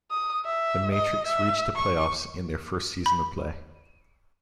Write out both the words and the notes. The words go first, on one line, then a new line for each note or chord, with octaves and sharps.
The Matrix reached the playoffs in their first season of play.
D#6
E5
D#5
E5
C#6
B5